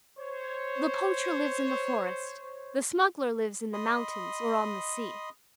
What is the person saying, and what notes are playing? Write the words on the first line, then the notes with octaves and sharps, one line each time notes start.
The poacher lives in the forest, the smuggler lives in the mountains or on the sea.
C5 C#5
D#5 B5 C6 D#6